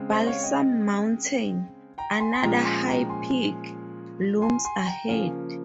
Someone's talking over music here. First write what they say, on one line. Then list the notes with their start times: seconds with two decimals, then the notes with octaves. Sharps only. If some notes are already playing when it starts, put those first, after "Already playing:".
Balsam Mountain, another High Peak, looms ahead.
Already playing: C#3 G#3 C4
0.09 C5 D#5
0.26 C#5 F5
0.43 D#5 G5
1.98 G5 A#5
2.20 G#5 C6
2.33 C6
2.42 A#2 F3 G#3 C#4 G5 A#5
2.65 G#5 C6
2.88 G5 A#5
3.09 G#5 C6
4.42 G#5 C6
4.65 G#5 C6
4.86 G5 A#5
5.08 C#3 F3 A#3 F5 G#5